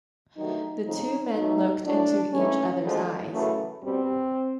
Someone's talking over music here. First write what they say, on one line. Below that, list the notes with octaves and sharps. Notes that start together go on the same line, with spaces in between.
The two men looked into each other’s eyes.
G2 D#3 F#3 A3 D#4
F2 C#3 F3 D#4
B2 F#3 A3 D#4
A2 F#3 A3 D4
G#2 E3 A3 C#4
D2 D3 F3 G#3
F#2 C#3 E3 A3
B2 G3 C4